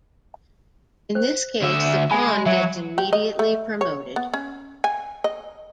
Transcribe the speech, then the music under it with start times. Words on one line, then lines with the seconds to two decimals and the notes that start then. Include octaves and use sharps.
In this case the pawn gets immediately promoted.
1.15 C5
1.62 D2 E5
2.11 G#3 G#5 B5
2.46 F#3 C#5 E5
2.98 G4
3.13 D#5
3.39 A3
3.81 C#5
4.16 B3
4.34 C#4
4.84 G#5
5.24 D#5